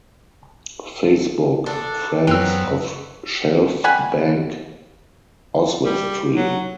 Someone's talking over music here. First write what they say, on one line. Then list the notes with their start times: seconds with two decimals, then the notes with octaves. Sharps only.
Facebook - Friends of Shelf Bank, Oswestry.
1.66 D4 A4
2.27 F#2 F#3 B3 C4 B4 G5 E6
3.84 G3 F#5 G#5 B5
5.85 G3
6.35 F#3